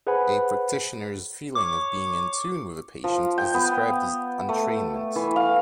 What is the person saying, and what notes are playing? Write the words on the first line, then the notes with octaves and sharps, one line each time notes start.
A practitioner's feeling of being in tune with a patient is described as "entrainment".
G#4 B4 C5 F#5 G#5 B5
C#5 D6
F3
G5
B3
A3
E3
F5